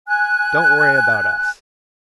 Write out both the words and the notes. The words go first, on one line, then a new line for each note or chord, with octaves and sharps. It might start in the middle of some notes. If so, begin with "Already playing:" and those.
Don't worry about us.
G#5 F#6